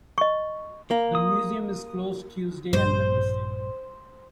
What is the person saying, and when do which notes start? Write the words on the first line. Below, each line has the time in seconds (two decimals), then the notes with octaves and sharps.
The museum is closed Tuesday and Wednesday.
0.18 D#5 C#6
0.91 A#3
1.15 D#6
2.73 A#1 G2 G3 C5